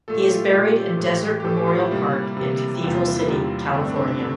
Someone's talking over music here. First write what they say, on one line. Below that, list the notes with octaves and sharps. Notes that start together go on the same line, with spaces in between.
He is buried in Desert Memorial Park in Cathedral City, California.
A#2 A3 A4
G4
F4
F4
A#2 A3 G4
A2 E3 A3
G4
A2 E3 A3 A4
G4
F4
E4
C3 G3 A#3
C3 G3 A#3
E2 C3 G3 A#3 F4
F4
E4
E4
E2 C3 G3 A#3
G2 D3 A3 C4
D4
C4
D4
D3 D4